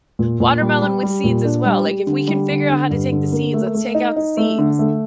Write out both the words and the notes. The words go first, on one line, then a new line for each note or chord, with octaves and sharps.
watermelon with seeds as well, like, if we can figure out how to take the seeds, let's take out the seeds.
A#2
A#2
G3
G3
G3
A#2
D4
G3
G3
D3
G3
D3
D3
G2
D3
A#3
A3
A3
D#4
D#4
A3
D3
A3